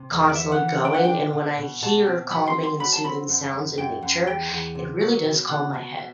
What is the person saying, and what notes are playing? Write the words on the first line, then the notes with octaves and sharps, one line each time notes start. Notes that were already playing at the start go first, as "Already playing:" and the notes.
constantly going and when I hear calming and soothing sounds in nature, it really does calm my head.
Already playing: C3
E2
D5
B3 E5
F#5
E3
F#5
D4 G5
F#5
D4 G5
B2
B2
B2 A5
C4
F#3 B5
C6
C4
C6
F#3 B5
A5
C4 B5
F#2
F#2
F#2 G5
F#2
E2 G5
E2
C3
F#3
B2
B2 F#5
B2
B2